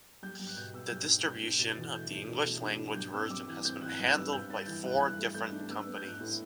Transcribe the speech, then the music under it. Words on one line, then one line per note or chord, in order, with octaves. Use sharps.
The distribution of the English-language version has been handled by four different companies.
G3 G6
G3
F#6
B2 G6
B3 E6
G3 G6
D4
B3 G6
D4
B2 A6
E2
A3 G6
D4
B2
A3
D4
D4
G3 G6
C4 E6
G3 D6
E3
C4 G6
E3 F#6
G2 F#6
G3 E6
G2 G6
D4 A6
E3 G6
G2 F#6
E3 F#6
A3
A3 G6
D4
B3 E6
B3
G6
B3 F#6
A2